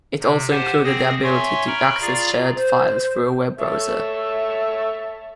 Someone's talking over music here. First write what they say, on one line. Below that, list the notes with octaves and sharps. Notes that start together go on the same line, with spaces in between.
It also included the ability to access shared files through a web browser.
C3
G4 C5 F5 F#5 G#5 A5
C4 G#4 D#6 A#6
C#5 E5 G#5 C6 C#6
G5 A#5 B5 C#6 F6
F4 G#4 D5 F5 A#5
C5
A4 C#5 E5